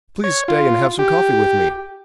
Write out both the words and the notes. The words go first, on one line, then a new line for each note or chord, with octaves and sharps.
"Please stay and have some coffee with me."
C#5
F4
G4